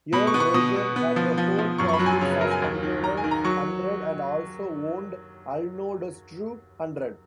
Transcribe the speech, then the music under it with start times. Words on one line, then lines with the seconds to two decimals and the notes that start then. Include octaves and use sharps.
Earl Roger had the whole profits of Condover hundred and also owned Alnodestreu hundred.
0.13 B2 B5
0.27 C#6
0.34 B3
0.40 C#6
0.54 B2 D#6
0.76 B2
0.96 B3
1.16 F3
1.37 F3
1.58 F3
1.78 F#2 C#6
1.89 C#6
1.93 B5
1.99 F#3
2.06 G#5
2.21 C#3 C#5
2.31 B4
2.41 F#3 A#4
2.51 G#5
2.62 D#2
2.83 D#3
3.03 D#3 A#5
3.17 G#5
3.24 D#3
3.31 A#5
3.44 F#3 C#6